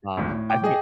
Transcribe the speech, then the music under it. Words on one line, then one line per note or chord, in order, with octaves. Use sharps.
Um, I think it
G#1 D2
A2
G5 D6
G#4 D#5